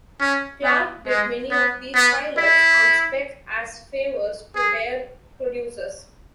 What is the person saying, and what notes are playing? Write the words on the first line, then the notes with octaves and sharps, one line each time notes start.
Clark did many of these pilots "on spec" as favors to their producers.
C#4
B3
G#3
B3
B3
E4
G#4